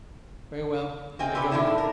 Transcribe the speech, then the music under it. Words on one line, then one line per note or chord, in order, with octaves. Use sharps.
"Very well, you may go now."
A#3 C4 A#4 D#5 G5 G#5
C4 C#4 G4 B4 D5
A2 D3 D#3 A#3 D4 E4
A#4